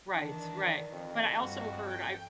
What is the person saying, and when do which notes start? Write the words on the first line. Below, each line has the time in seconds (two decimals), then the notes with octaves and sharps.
Right right. But I also heard I
0.15 D#3 E3 D4
0.93 F2
1.39 G2 F#4
1.89 G5